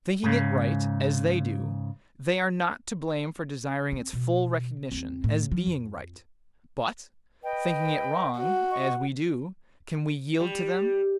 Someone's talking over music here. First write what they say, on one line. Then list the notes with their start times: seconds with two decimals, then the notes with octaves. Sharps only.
Thinking it right, as they do, they are not to blame for desiring its full recognition, as being right; but thinking it wrong, as we do, can we yield to them?
0.23 G#2 C#3
3.92 C4
4.13 B2
4.92 E2 C4
5.24 A2
5.52 F3
5.66 F2
7.43 B4 D#5 G5
8.37 F#4
8.70 D#5 C#6
10.40 G3